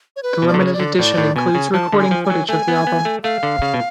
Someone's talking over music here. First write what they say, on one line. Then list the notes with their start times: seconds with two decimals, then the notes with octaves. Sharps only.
The limited edition includes recording footage of the album.
0.16 C#5
0.23 B4
0.42 B2
0.48 D5
0.54 D3
0.59 C#3 B4
0.66 C#5
0.73 D5
0.80 D3
0.99 A2 D5
1.18 A2
1.36 B2 G#5
1.55 C#3
1.73 F3 A5
1.92 D3
1.99 G#5
2.11 F3
2.24 G#5
2.30 F#3
2.49 A3 G#5
2.68 B3
2.87 B3
3.05 A3
3.23 A3 F5
3.43 D3
3.62 C#3
3.74 B2